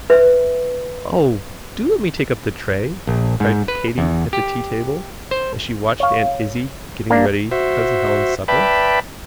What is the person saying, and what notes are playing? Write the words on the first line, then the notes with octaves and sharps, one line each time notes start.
"Oh, do let me take up the tray," cried Katy at the tea-table, as she watched Aunt Izzie getting ready Cousin Helen's supper.
B4 E5
A#1
G#2
B4
E2
G4
C5
C#5 F5
A#3 D4 A5
F#4 C5 E5
B4 D5 E5 G5 A5 B5